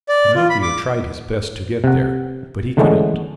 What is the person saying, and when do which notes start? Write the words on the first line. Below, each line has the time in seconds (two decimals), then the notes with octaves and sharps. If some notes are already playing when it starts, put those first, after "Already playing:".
Pinocchio tried his best to get there, but he couldn't.
0.09 D5
0.35 F4
0.50 B5
0.62 D6
1.84 C3 F#5
2.77 D3 E3 G#3 A3 B3 C#4